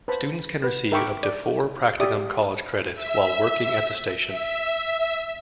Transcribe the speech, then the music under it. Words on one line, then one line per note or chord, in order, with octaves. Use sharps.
Students can receive up to four practicum college credits while working at the station.
B4 C5 A5 B5
B4
A#4 E5 G5 B5 C#6 D6
D5
G4 D5 E5 D#6
E5
E5